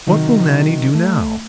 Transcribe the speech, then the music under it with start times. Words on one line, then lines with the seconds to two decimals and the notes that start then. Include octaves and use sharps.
What will Nannie do now?
0.07 C3 D#3 F#3
0.95 A3